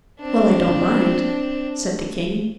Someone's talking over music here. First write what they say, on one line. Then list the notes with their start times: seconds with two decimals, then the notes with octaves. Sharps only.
"Well, I don't mind," said the king.
0.20 C4 D4